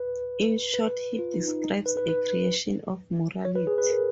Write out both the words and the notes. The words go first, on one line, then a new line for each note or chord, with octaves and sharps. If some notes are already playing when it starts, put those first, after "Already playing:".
In short, he describes a creation of morality.
Already playing: B4
B4
F4
D#4
D#4
D#4
B4
B4
B4
C#5
B4
G#4
B4
A#4